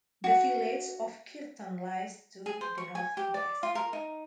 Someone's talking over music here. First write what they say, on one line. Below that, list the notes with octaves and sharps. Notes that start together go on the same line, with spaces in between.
The village of Kirton lies to the north-west.
F#4
G#4
C5
C#6
G#5
G4
D5
F4
A#4
D#4